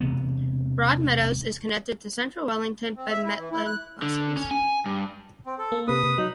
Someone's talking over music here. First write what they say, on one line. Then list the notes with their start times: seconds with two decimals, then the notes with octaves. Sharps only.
Broadmeadows is connected to central Wellington by Metlink buses.
0.01 E1 C3 E3 B3
2.96 C4
3.10 E5
3.25 E4
3.38 E3
3.52 E4
3.66 F#6
4.02 D3
4.37 C#4
4.51 G#5
4.86 G2
5.46 C4
5.58 A4
5.72 A#3
5.88 C3 A#3 B4 D#6
6.03 C3
6.18 F#3 D#4